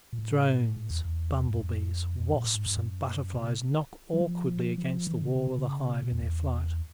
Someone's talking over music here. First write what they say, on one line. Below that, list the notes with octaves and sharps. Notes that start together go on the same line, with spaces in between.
Drones, bumblebees, wasps, and butterflies knock awkwardly against the walls of the hive in their flight.
A#2
A2
A2
E2
E2
G2
F#2
F2
F2
A#2
A2
G#2
G2
F#2
B2
C3
F#3
F3
F3
E3
C#3
C#3
C3
C#3
C3
B2
F2
E2